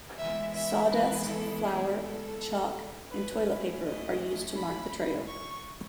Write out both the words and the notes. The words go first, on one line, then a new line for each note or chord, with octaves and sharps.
Sawdust, flour, chalk, and toilet paper are used to mark the trail.
E3 G#3 B3 E4 E5
E5
B4
A4
G#4
A4
F#3 A3 C#4 E4 B4
D#5
B5
C#6